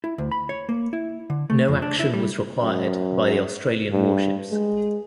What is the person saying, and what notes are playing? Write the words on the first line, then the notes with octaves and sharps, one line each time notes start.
No action was required by the Australian warships.
E4
D2
B5
C#5
A#3
E4
D3
A3
F2
D4
E4
G3
F#2
G2
G#3